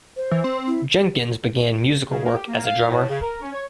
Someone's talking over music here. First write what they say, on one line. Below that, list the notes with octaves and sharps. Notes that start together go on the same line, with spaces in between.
Jenkins began musical work as a drummer.
C5
E3
C4
E4
C#3
A#3
G4
A#3
F5
A2
C#3
A#4
C#4
C#5